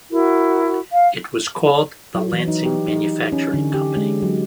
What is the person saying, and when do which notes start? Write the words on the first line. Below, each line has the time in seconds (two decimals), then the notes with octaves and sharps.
It was called the Lansing Manufacturing Company.
0.11 E4 F#4 A#4
0.92 F5
2.15 F#3
2.32 E3
2.48 D#4
2.66 G4
2.88 D#4
3.32 C#4
3.54 D3
3.74 G4
3.96 G#3
4.22 F#3